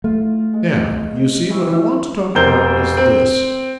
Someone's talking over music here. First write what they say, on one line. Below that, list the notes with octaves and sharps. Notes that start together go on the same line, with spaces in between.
Now, you see, what I want to talk about, is this.
A3 F4
G#3
E3 C4 C#4
F1 A#4 C5 G6 G7
C4